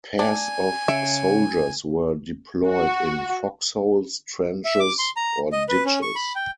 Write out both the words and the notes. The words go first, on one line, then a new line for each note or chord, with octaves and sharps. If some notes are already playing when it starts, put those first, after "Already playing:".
Pairs of soldiers were deployed in foxholes, trenches, or ditches.
D4 G#5
C#3 E5
F#4
E5
D6
C6
A#5
D#5
B4
C#4
C#6
B5
G5